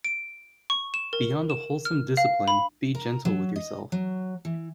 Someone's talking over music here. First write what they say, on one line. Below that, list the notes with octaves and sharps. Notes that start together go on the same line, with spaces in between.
Beyond a wholesome discipline, be gentle with yourself.
D7
C#6
E7
A#4
E7
F6
F5
B5
A#4
F#3
D#5
F#3
E3